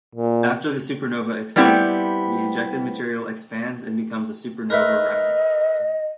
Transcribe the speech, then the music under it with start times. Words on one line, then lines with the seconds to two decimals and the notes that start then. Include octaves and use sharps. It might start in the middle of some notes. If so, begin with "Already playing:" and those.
After the supernova explosion, the ejected material expands and becomes a supernova remnant.
0.15 A#2
1.56 G3 B3 C4 E4 G4
4.70 A#4 B4 D#5 E5